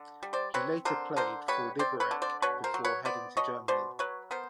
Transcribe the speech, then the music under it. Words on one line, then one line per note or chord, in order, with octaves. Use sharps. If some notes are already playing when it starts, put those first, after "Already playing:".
He later played for Liberec before heading to Germany.
Already playing: D3
G3
C5 D5
C4 B4 C#5
D3 A#4 C5
D3 A#4 C5
G3 B4 C#5
C4 C5 D5
B4 C#5
D3
C5 D5
B2 B4 C#5
A#4 C5
F#3
B4 C#5
B3 C5 D5
B2 C#5 D#5
B2 C5 D5
F#3 B4 C#5
B3 A#4 C5